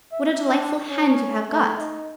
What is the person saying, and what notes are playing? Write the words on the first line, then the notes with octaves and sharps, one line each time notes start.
What a delightful hand you have got!
E5
D4
C#4
A3
D#4